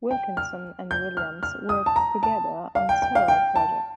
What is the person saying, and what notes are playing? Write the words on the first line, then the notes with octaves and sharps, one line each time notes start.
Wilkinson and Williams worked together on several projects.
G5
F6
G6
F6
F6
D#6
A5
A#5
A5
F5
G5
G5
F5
G5
A5